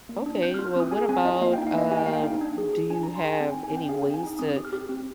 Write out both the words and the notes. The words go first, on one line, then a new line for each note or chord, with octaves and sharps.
Okay, well, what about, um, do you have any ways to
A#3
D4
C4 G6
F6
F4
F6
C4 D#6
G#4 G#5
C4 G#5
F4 D#5
A#3 F5
D#4 G5
F5
A#3 D#5
G4 G#5
G5
A#3 F5
G5
D#4
D4
G#4
G#4
D4 G#5
D4 A#5
C6
G#4 G#5
C4 G5
G#5
D#4
G#5
C4 G5
G#4 F5
C4 G5
G#5
D#4 D#6
C4 D#6
G4
F6
G4
C4